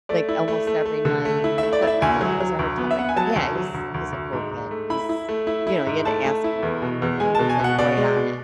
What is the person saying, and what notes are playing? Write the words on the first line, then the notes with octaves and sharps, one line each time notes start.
like, almost every night, m But my mom has a hard time Like, yeah, he's he's a cool kid, he's you know, you had to ask him or whatever, but he was, like, right on it.
A3 D5
E4
A3
A3
A3
D3
A3
E4
A3 E5
D5
E4
E5
D2 G#5
F#3
F#3
D2
B3
E5
B3 F#5
G#5
F#3 A5
D2
F#3
D2
D2
D2
G#2
G#2
A3
E4 B5
E4
A3
E4
E4
G#2
A3 A5
A3
E4
E2
B2
E2
G#3 G#5
B2 A5
G#5
B2 F#5
B2 D5
G#3
B2